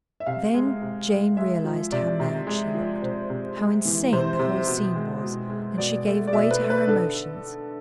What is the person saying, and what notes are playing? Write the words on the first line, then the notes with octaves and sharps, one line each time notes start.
Then Jane realised how mad she looked, how insane the whole scene was, and she gave way to her emotions.
E5
C3 F5
G#3
C3
G#3
G#3 E5
F3
C3 D5
C3
G#3
F3
C3 C5
C3
G#3
E3
C3 C5
C3
B2
G#3
B2
G#3
B2 D5
A3
D5
B2 E5
B4
A3
B4
D3 A4